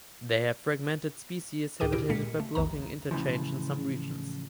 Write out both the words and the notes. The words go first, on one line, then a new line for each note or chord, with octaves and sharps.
They have fragmented species habitat by blocking interchange in some regions.
D2 A2 G#4 G5 D6 D#7
B2 E4 G4 A#4 D7
A#2 G#3 A#3 B6 C#7
A3
A#1 E2 D#3 A#5
A2 C#3 E3 F3